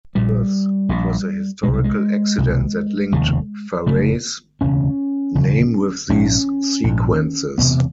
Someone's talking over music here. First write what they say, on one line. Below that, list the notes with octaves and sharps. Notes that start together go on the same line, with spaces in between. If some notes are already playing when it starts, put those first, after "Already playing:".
Thus it was a historical accident that linked Farey's name with these sequences.
A#1 A#2 G3
A#1 A#2
C2 B2 G#3
G3
G#3
C2 B2
F1 D#2 C#3
F1 D#2 C#3 A3
E1 D2 C#3 C#4
E1 D2 C#3
A#1 G#2 C#4
A#1 G#2
E1 E2 C3 B3